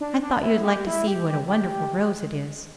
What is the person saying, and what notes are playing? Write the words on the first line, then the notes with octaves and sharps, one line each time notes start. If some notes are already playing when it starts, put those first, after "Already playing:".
I thought you would like to see what a wonderful rose it is.
D4
D4
E4
G4
E4
G4
G4
G4